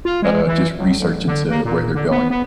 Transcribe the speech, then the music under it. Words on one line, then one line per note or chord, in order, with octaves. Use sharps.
uh, just research into where they're going.
F4
G#3
E3
C#2
A1
D3
A#3
A#2
D3
B3
B3